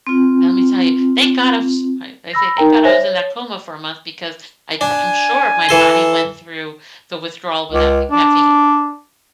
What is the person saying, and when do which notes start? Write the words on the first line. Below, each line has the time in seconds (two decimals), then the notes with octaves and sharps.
Lemme tell you, thank god I was I I say thank god I was in that coma for a month because I pr I'm sure my body went through the withdrawal without the caffeine.
0.07 C4 F4
2.33 B5 E6 A#6
2.57 D#4 A#4 G5 A#5
2.85 C5 C#5 E5 G#5 A#6
3.01 C#5
4.81 D4 G#5
5.69 E3 A4 C6
7.71 C#2
8.12 D4